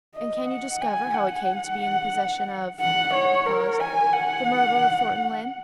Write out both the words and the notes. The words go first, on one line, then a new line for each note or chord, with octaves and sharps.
"And can you discover how it came to be in the possession of----" he paused, "the murderer of Thornton Lyne?"
D#5
F#5
G#5
F#5
F#5
C#5
A#4
G#5
F#5